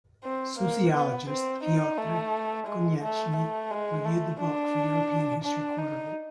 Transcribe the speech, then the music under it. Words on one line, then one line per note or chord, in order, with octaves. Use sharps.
Sociologist Piotr Konieczny reviewed the book for "European History Quarterly".
C4
A#3
B3
C4
D#4
A3
G#3
A3
A3
G#3
A3
D4
D4
D#4